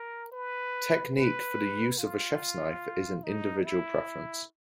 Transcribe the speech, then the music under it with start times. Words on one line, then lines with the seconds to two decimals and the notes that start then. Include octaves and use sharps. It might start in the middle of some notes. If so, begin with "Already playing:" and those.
Technique for the use of a chef's knife is an individual preference.
Already playing: A#4
0.32 B4
1.16 B4
1.98 F4
3.24 D#4
3.65 E4